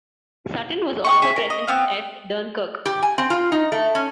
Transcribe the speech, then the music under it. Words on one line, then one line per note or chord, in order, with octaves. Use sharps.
"Sutton" was also present at Dunkirk.
D#5 G5 C#6
G#4 E5
A#4
D#5
B3 C4 F5
G4
G#5
C4
F4
D#4
A3
C#4